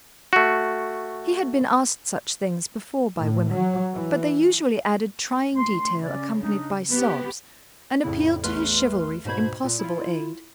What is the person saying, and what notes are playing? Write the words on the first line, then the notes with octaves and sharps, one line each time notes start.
He had been asked such things before by women, but they usually added trying detail accompanied by sobs, and appealed to his chivalry for impossible aid.
A3 F#4
A2
F#3
E3
D2 C6
C#3 C#4 D5
D4 D#4
B3 G4 B4
F2 A2 C#3 E4
A1 E2 A3 B4 C6 F6
G#2 B2 C5 B5 G#6
A#2
E4 F4